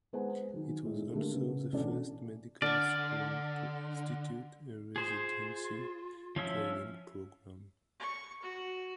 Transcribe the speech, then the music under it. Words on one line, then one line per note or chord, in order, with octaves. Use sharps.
It was also the first medical school to institute a residency training program.
G#3 B3 G#4 C5 F#5 G#5
D#3 F#3
A2 G#3 D#4
D3 G3 A3 A#3
C#3 B3
A1 B2 C#4 D4 A4 D5
D3 D4 D5 C#6 F6
F4 G#4 C5
F3 C#4 E5
C#6
F#4